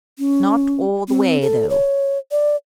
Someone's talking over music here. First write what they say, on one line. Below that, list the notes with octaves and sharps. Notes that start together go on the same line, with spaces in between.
Not all the way, though.
C#4
C4
A4
C#5
D5